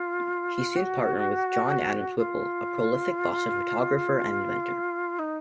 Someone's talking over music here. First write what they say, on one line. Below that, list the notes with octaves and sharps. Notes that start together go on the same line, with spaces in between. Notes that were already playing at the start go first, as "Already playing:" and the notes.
He soon partnered with John Adams Whipple, a prolific Boston photographer and inventor.
Already playing: F4
F#4
F4
D#4